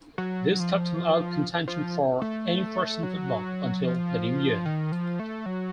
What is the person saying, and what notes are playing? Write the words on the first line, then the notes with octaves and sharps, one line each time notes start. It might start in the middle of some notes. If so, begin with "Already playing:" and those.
This kept him out contention for any first team football until the New Year.
F#3
F3
F3
A3
F#3
F3
D#3
F3
A3
F#3